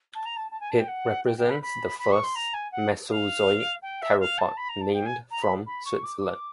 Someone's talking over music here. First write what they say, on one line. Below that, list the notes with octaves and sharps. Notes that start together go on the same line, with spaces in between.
It represents the first Mesozoic theropod named from Switzerland.
A5
A#5
A5
A5
G#5
A5
G5
F#5
G5
G5
B5
B5
B5
C#6
C6
A#5
G#5
F#5
F5
G5
E5
F5
A5
B5
A#5
A5
G5
G#5
A#5
B5
B5
C#6
D6
D6